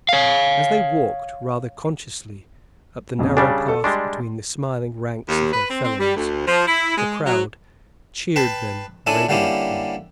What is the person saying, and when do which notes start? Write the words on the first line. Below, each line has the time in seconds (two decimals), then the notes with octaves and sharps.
As they walked, rather consciously, up the narrow path between the smiling ranks of their fellows the crowd cheered them radiantly.
0.09 C#5 F5
3.19 A#1 F2 C#3
3.37 C#3 G3 D4 G#4
3.68 A4
3.84 G3 G#3 D4 C6
5.29 D#2
5.53 B4
5.70 C4
5.84 C4
5.99 G3
6.15 D2
6.46 F3
6.67 E4
6.97 G#3
7.25 F#3
8.36 B4 G5 A5 B5 C6
9.07 C#4 D4 E4 A4 G#5
9.29 D3 G3 A#3 C#4 E4 G4